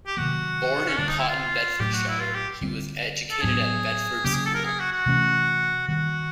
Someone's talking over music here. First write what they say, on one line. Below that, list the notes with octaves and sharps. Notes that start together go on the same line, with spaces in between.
Born in Potton, Bedfordshire, he was educated at Bedford School.
G4
C3 D#3 F#3 A#3 F#4
C#4
D3 G3 A#3 D4
D#4
E4
F4
A2 F#3 A3 G4
F#4
E4
F4
G4
D3 G3 C4
A4
A2 F#3 B3 D4 G#4
C#3 F#3 A#3 C#4 G4
G#4
A4
A#4
G#4
F#4
F#4
C3 E3 A3 C#4
D#3 G3 A#3 F#4